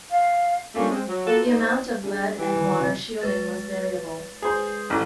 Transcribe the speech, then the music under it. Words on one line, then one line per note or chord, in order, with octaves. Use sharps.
The amount of lead and water shielding was variable.
F5
G3 A3 A#3 C#4 D4 F4
G#3 C4
F#3
A#3 F4 F#4 A4
D#4 C5
G3 D4 G#4
E3 G4
D2 D#3 G3
D2 C3 D#4
G#3 B4 A6
G#4 C5
A1